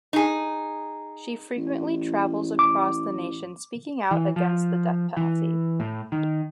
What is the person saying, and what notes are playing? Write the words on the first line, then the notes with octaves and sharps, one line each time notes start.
She frequently travels across the nation speaking out against the death penalty.
D#4 G#4
A1
D6
E3
F3
E3
A2
D#3